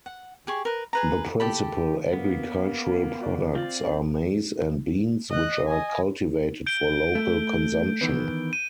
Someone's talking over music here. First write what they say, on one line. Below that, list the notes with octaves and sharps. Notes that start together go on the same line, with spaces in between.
The principal agricultural products are maize and beans, which are cultivated for local consumption.
F#5
G4 G#4 C#6
A#4 B4
G#4 B4 A#5
G4 A4 B5
A#3 B3
F#4 D5
C4 F4 D5
D#5 F#6
D#5 G#5
G6 D7 G7
A3
D#3 E3 B3
D#7